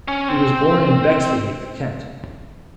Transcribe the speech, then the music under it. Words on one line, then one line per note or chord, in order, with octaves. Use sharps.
He was born in Bexleyheath, Kent.
C#4
C4